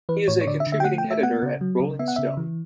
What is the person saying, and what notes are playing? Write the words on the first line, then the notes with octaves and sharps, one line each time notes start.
He is a contributing editor at "Rolling Stone".
E3 B4
A2 C#5
C#5
D3 D5
E5
D3
E5
G5
A3 F#5
G5
A3
E5
B3 F#5
C#3
F#3
C#3
B3 E5
F#5
C#3 E5
E3